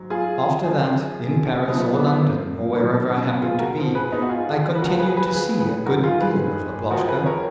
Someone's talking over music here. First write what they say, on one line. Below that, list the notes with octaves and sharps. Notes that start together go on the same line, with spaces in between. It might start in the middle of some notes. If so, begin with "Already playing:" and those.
After that, in Paris or London or wherever I happened to be, I continued to see a good deal of Laploshka.
Already playing: G#2 F#3
F4 G#4
F#2 F3
F#2 F3 B3 D#4
B3
B3
B3
A#3
G#2 D#3 F#3
C#4
B3
F4 G#4
F#4 A#4
G#2 F3
G#4 B4
B3 D#4
F#4
F4 G#4
B4
C#2 C#3 F3 F#4 A#4
G#4 B4
G#4 B4
G#4 B4
G#4 B4
G#2 D#3 F#3 F#4 A#4
F4 G#4
G#4 B4
F2 F3 F#4 A#4
G#4 B4
A#4 C#5